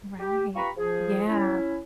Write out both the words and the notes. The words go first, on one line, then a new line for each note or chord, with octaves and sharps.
Right, yeah.
G4
F4 G4 B4 A#5 B5 C#6
F3 G#4
C#4 E4